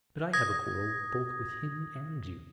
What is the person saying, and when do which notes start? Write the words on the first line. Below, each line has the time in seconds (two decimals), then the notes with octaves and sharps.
But I have a quarrel both with him and you.
0.33 D#6 G#6 A#6